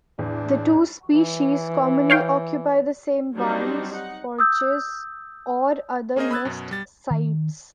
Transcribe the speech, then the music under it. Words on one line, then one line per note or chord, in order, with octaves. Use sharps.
The two species commonly occupy the same barns, porches, or other nest sites.
E2 A2 D4
E3
C#5 F5 G5
F#3 G3 C4 D4 D#4
D#4 F#5
D#6 E6 G6
A#3 C#4 G#4 A#4 C5 D#5
B5 D#6 E6 F#6 G#6 A6
F#2 B2
G3 A6
D#3